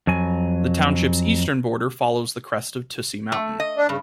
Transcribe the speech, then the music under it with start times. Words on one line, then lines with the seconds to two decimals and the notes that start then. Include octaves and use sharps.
The township's eastern border follows the crest of Tussey Mountain.
0.07 F2 F#3 G#5
3.32 A3
3.60 D#5
3.77 D4
3.89 G2 C#3